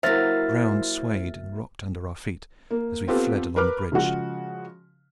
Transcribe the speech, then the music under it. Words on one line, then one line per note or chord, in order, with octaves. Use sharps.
The ground swayed and rocked under our feet as we fled along the bridge.
F#3 A#3 E4 F#4 C5 E5 F6 A6
A#3
B3 C4 F4 G4 A4 B4
A#4 B4 B5 D6 F6
C#3 F3 G#3 F#4